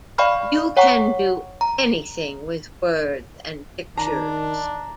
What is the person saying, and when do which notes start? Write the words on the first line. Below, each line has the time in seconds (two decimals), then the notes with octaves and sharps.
You can do anything with words and pictures'.
0.18 D5 F5 G5 B5 C#6 F6
0.77 C#5 F#5 G5 A#5 C#6 D6
1.61 A#5
3.98 D#3 D4 A#5